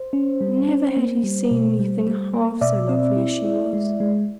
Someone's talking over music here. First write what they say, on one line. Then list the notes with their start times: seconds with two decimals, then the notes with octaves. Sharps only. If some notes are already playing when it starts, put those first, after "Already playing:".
Never had he seen anything half so lovely as she was!
Already playing: C5
0.13 C#4
0.41 G3
0.69 C#4
0.97 A#3
1.24 G3
1.51 B2
1.79 G3
2.07 G3
2.34 A#3
2.61 B2 D5 E5
2.89 C4
3.17 E4
3.45 E4
3.73 G#3
4.00 G#3